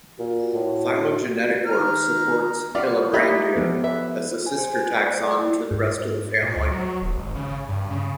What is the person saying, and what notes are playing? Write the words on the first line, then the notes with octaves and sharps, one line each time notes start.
Phylogenetic work supports "Hillebrandia" as the sister taxon to the rest of the family.
A#2 F#4
A2
D#3 A#5 F6
B3 F4 D5 F5
D#4 G4 E5 B5
F3 B3 A4
B4 E5
G#5
C5
B4
D5
G5
E4
G#2
A#2
D2
F#3
D#1
G#1
C#3
G2
C#3